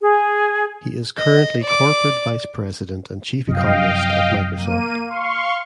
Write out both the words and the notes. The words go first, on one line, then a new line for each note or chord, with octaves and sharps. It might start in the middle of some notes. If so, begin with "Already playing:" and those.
He is currently Corporate Vice President and Chief Economist at Microsoft.
G#4
D#5
D5 D6
F#2 C3 F3 D#5 F5 G5
A#3 D#7
F5 C6 C#6